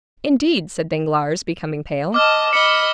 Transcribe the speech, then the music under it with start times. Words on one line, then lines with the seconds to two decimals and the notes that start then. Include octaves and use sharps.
"Indeed?" said Danglars, becoming pale.
2.14 D#5 A5 D6 F6
2.53 D#5 B5 C#7 G7